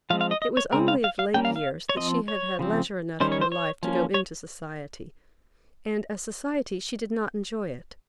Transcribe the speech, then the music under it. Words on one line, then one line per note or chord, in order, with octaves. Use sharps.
It was only of late years that she had had leisure enough in her life to go into society; and as society she did not enjoy it.
F3 G#3 C4 F5
F5
D#5
D#5
C#5
C#3 G#3 C4 A#4
F5
F5
F5
G3 A#3 C#4 G5
F5
F5
C#5
F3 C4 D#5
C#5
C#3 F3 C4
D#3 G3 C#4 C5
C#5
C5
C#5
F3 A#3 C#4
C#5